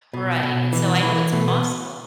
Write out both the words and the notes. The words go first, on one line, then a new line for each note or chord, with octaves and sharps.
Right, and so I know it's possible.
B2
B2
E3
E3
B2 A3
B3